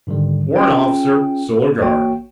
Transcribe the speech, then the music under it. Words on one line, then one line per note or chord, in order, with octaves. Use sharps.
Warrant Officer--Solar Guard.
G#2 D3 D#3 G3
C#4 F4 G#4 G5
A1 A#3 F#4 C#5 G5